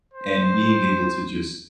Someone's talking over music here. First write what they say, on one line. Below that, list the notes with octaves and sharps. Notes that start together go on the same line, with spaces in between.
And being able to just
C5